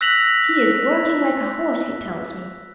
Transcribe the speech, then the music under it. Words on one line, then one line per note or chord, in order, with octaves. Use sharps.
He is working like a horse, he tells me.
E6 F#6 A#6 B6 F7 F#7